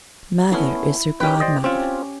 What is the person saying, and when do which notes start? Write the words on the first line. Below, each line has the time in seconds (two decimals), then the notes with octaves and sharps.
Mother is her godmothah.
0.52 A3 B3 C#4 E4 C6
1.20 C#4 G4 B4 G5
1.40 C5 D5 D#5
1.64 C4 C#4 F4 G4